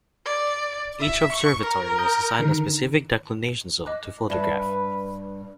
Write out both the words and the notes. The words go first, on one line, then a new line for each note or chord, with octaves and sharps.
Each observatory was assigned a specific declination zone to photograph.
D5
E5
C#6
A#4
A#5 D#6 G6
D3 D#3
D#5 D6 F#6
G2 B4 E5 A5